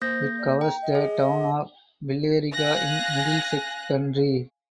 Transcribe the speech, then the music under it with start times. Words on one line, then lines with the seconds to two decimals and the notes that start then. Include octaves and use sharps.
It covers the town of Billerica in Middlesex County.
0.02 A#3 C5 G6 A#6
0.39 D5
0.61 G5 A#5
0.82 D#5
0.95 G#4
2.53 F5 G#5 F#6 A#6